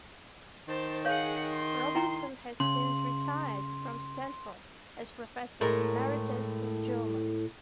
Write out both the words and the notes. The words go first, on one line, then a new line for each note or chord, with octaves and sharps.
Robinson has since retired from Stanford as Professor Emeritus of German.
D#3 C5 A5
G#4 C#5 F5 F#5
C6
E4 G5 A#5
C#3 C6
A2 G#3 A#4